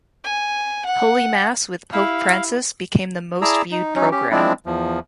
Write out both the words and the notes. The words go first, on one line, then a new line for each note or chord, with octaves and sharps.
Holy Mass with Pope Francis became the most viewed program.
G#5
F#5
E4 G4 F5
E4 G#4 D5 A5 A#5 E6
D#4
F#3 C#4 D#4
C#4 G4
F3 G#3 C4 D4 E4
E2 F3